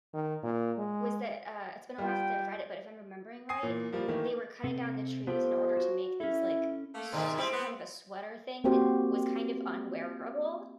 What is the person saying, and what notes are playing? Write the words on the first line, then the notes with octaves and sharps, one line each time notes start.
was that, uh, it's been a while since I've read it, but if I'm remembering right, they were cutting down the trees in order to make these, like, s some kind of a sweater thing that was kind of unwearable.
D#3
A#2
G#3
G3 F4 G5
G#5 D#6 C7
A#2 E3
F3 G3 A#3
D#3 E3 A3 A#3
C3 C4 A4
F3 B3 G4 A4
F#4
C#4 E4 A4
A3 A#3
G#2 B2 D#3
G3 G#3 C4 E4
B3
A#3 C4 F#4 G4 C5